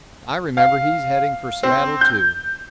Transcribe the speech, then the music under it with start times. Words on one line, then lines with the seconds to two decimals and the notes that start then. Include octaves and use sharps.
I remember; he's headed for Seattle, too.
0.57 F5
1.63 C4
2.01 G6